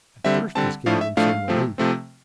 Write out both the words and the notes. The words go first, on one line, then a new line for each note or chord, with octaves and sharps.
At first this gave him some relief.
D3 G3 C4 E5
D3 G3 C4 A5
A2 F3 A3 D4 F5
E5
A2 F3 A3 D4 F5
C3 F3 A3 C4
C3 F3 A3 C4